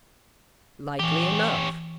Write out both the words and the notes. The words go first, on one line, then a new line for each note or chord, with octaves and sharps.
Likely enough.
E3 C#4 G4